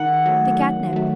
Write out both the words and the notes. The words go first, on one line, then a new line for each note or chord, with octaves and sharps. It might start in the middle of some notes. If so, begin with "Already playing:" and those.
The Cat-nip.
Already playing: D#3 F#5
F#3 A3
D#3
F#3 A3